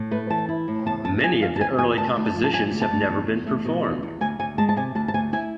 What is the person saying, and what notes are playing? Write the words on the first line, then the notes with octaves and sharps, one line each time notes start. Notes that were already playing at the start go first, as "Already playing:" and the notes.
Many of the early compositions have never been performed.
Already playing: A2
A3 B4
E3 A5
E4
A2
E2 A5
E2 A5
F3 G#5
D3 F5
A5
E2 G#5
E2 G#5
D2 A5
D2
A5
F3
A5
D3 G#5
D2
A5
D2
E2
E2
A3
B2
E2
E2
D2 G#5
D2 G#5
G#3 A5
A5
C3 G#5
D2 A5
A5
D2 G#5
E4 G#5